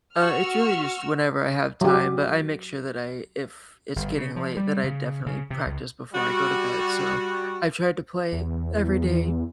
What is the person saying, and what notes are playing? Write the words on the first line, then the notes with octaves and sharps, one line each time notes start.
Uh, it's really just whenever I have time, but I make sure that I if it's getting late, that I definitely practice before I go to bed. So I've tried to play every day
F#4 C#6 E6 F6
F#3 G4
G1
C#3
F3
G3
C#3
C#3
C3
C#2
G3 F#4
E2